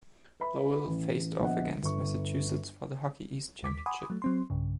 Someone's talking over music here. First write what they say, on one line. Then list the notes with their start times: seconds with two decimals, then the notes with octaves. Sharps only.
Lowell faced off against Massachusetts for the Hockey East championship.
0.40 B4 E5 B5
0.87 A1
1.40 A#1 B3 D#5 F#5
1.82 G1 C#6
3.63 D#2 D6 B6
3.86 F#5 G#5 B5 C6 D6 D#6
4.10 F#3 A3
4.22 F#3 C4 C6
4.50 B1 G2 C#3